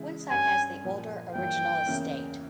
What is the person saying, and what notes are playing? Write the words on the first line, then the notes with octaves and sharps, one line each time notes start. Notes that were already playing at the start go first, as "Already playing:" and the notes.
One side has the older, original estate.
Already playing: C#3 E3 G#3 E4
G2 G3 C#4 G#5
A#2 F3 A#3
G2 E3 A#3 F4 G5
E2 C#3 E3 A#3 C#4